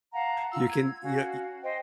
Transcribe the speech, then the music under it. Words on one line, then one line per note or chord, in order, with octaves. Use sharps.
you can, you know y
F5 F#5 A5 A#5
F4 E6
G#6
C#4 F#4 F5
C5 D#5 G5